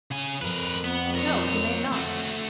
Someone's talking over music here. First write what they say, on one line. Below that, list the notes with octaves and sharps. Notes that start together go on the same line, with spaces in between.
"No; you may not."
C#3 G#5
F2 A#4 B4
B3
A#4 C#5
A3 F#4